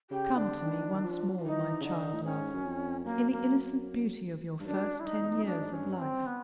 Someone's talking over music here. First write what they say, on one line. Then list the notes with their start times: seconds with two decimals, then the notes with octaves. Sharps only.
Come to me once more, my child-love, in the innocent beauty of your first ten years of life.
0.10 C#3 G4
0.37 D3 D4
0.64 D#3
1.04 F3
1.30 F#3
1.37 F3
1.44 E3 D#4
1.81 C#3
1.84 D3 D#4
2.13 A2
2.24 G#2 C#4
2.54 F#2
2.65 F2
3.04 F#2 A#3
3.31 A#3
4.60 G2
4.66 F#2 D4
5.00 E4
5.06 D#4
5.19 E2
5.41 F2
5.46 F#2 D4
5.62 G#2
5.73 G2 C#4
5.99 C4
6.26 B3